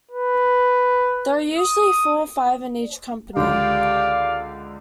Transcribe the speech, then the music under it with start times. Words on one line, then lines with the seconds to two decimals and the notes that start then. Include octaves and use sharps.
There are usually four or five in each company.
0.11 B4
1.58 D#6
3.37 C#2 D3 G4 D5 F5